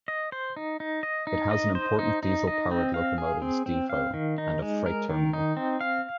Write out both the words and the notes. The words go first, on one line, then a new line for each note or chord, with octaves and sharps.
It has an important diesel-powered locomotives depot and a freight terminal.
D#5
C5
D#4
D#4
D#5
D#4
D#5
C5
D#4
D#4
D#5
C4
F5
G#4
C4
C4
F5
D#3
D#4
G#3
A#4
D#3
D#4
C4
F5